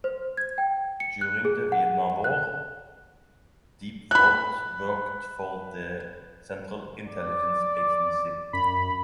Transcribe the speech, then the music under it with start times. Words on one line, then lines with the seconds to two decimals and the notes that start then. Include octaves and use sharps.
During the Vietnam War, Deep Throat worked for the Central Intelligence Agency.
0.04 C5
0.37 G#6
0.58 G5
1.00 C#7
1.21 F#6
1.45 G#4
1.72 F#5
2.24 F#6
4.11 B5 F#6
7.08 D5
8.53 F#2 B5